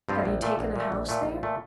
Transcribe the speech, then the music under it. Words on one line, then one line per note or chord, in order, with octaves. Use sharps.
Have you taken a house there?'
G2 F3 C4 F4
A#1
A#2 A3
A#1
A#2 A3
A#1
A#2 A3
A#1
A#2 A3